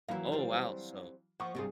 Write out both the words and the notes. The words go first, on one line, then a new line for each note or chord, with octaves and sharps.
Oh, wow, so
E3 F#3 A#3 E4 F5
G3 C4
F3 F#5 C#6
C2 G2 C3 F4 G#4